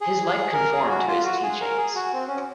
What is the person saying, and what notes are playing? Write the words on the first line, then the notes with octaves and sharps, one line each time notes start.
His life conformed to his teachings.
G#4
G#4
A#4
G#4
F#4
F4
F#4
G#4
A#4
G#4
F#4
C4
C#4